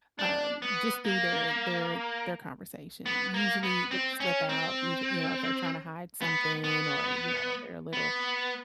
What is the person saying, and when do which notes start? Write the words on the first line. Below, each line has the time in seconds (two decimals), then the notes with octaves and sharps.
um, just through their their their conversation. Usually, it'd slip out, ev you know, if they're trying to hide something or, you know, they're a little
0.19 D4
0.62 B3
1.05 A#3
3.06 B3
3.34 A#3
3.63 B3
3.91 C4
4.20 C#4
4.49 C4
6.21 B3
6.64 B3
7.93 B3